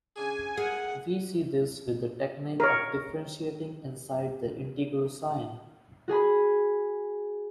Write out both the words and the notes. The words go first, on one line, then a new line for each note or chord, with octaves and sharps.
We see this with the technique of differentiating inside the integral sign.
C#3 D4 G#4 G#5
G#4 A#4 F#5
A#4 C#5
F#4 G#4 G#5 B5